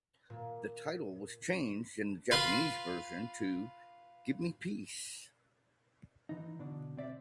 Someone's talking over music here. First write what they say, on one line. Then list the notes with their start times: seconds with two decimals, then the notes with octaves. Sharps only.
The title was changed in the Japanese version to "Give me Peace".
0.30 A#2
2.31 F4 B4 C6
6.29 E3 D#4
6.59 B2 D3 D4
6.97 C4 D5 E5